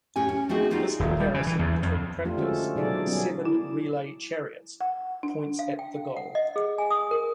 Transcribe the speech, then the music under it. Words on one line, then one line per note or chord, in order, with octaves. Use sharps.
This comparison between practice and "seven relay chariots" points at the goal.
A2 C#4 G4 G#5
C#4
A3 C4 D#4 F#4 G#4
G3 B3 D#4 F4 G4
D#1
G3
C#3
E3
E2
F2
F3 A3 D4 F4 G4
D3 G#3 C#4 F#4 A4
B2 F#3 D#4 G#4 A4 D5
F#3 G3 B3 C#4 G#4
E4
F#5
D4
F5
G5
F#5
D#5
G#4
G#5
D#6
A#4